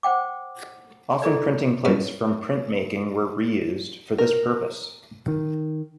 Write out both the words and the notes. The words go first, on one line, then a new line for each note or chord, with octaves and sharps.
Often printing plates from printmaking were reused for this purpose.
C5 F#5 G5 D6
E4 G#4 A4 B4 D5
G2 C#4
A#4
D#3